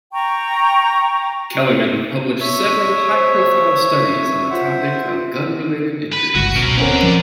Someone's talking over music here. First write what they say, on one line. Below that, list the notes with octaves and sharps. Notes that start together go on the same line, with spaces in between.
Kellermann published several high-profile studies on the topic of gun-related injuries.
G5 A#5 C#6
C#5 E5
C5
F4 C5 E5 F#5
B4
G1 C#2 F#4
B2 C#4 A#4
D1 C4 C#4 A#4 D5 F#5
F3